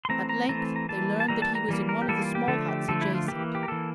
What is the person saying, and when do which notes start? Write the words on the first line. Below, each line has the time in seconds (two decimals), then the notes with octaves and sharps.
At length they learned that he was in one of the small huts adjacent.
0.05 C6
0.09 E3 A3 C4 A#5
0.29 A#5
0.49 E3 A3 C4 A#5
0.76 A#5
0.89 E3 G3 A#3 A5
1.20 A5
1.28 E3 G3 A#3 A#5
1.42 A5
1.55 A#5
1.69 E3 G3 A#3
1.89 A#4
2.02 G4
2.08 E3 G3 A#3 A4
2.22 F4
2.35 G4
2.48 D3 F3 A3 A4
2.68 G4
2.88 D3 F3 A3 A4
3.01 E4
3.15 F4
3.28 E3 A#3 G4
3.55 G4
3.63 A#4
3.68 E3 A#3 A4